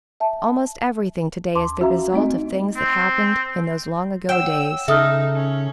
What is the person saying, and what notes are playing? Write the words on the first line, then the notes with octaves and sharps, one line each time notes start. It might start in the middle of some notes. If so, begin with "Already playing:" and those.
Almost everything to-day is the result of things that happened in those long-ago days.
E5 A5
D#2 A5 C6 D6
C#4 F#4 E5 F5 A#5
A3 C4 D#4 D#5
C4
C#5 F#5 G5 E6
C#3 D#4 A4 E5 D#6 F6
C#4